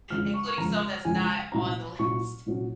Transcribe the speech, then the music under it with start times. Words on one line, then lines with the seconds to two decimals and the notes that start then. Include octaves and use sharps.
including some that's not on the list.
0.10 F2 C#3 F3 G#3 F6
0.34 C#6
0.46 C#6
0.58 F2 C#3 F3 G#3 A#5
1.05 F2 C#3 F3 G#3 G#5
1.52 C2 A#2 F#3 C#4 A#5
1.99 C2 A#2 F#3 C#4 C#6
2.46 C2 A#2 F#3 C#4